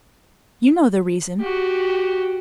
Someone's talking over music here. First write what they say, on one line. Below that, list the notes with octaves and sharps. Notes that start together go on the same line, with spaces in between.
You know the reason.
F#4 G4